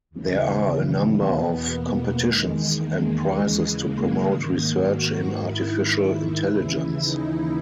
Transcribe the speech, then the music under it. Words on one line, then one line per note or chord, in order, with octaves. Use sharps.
There are a number of competitions and prizes to promote research in artificial intelligence.
D#2 C#3 E3
E2 B2 B3
A#3
E2 D#3 G#3
A#3
D#2 C#3 E3 G#3
A#3
G#2 D#3
F#4
G#2 D#3 E4
D#2 C#3 E3
D#4